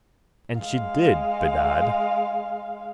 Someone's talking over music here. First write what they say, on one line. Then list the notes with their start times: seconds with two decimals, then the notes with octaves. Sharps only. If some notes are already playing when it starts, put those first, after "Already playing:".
And she did bedad.
0.60 G#3 F5